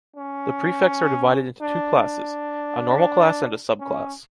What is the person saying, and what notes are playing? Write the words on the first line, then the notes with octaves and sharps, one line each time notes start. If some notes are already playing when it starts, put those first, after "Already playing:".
The prefects are divided into two classes: A normal class and a sub-class.
C#4
D4
D4
C#4